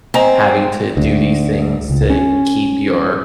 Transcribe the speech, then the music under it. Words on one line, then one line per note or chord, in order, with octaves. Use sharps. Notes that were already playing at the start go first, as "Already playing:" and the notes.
having to do these things to keep your
C4 D#5 G#5 A#5
D2
C#2
C#4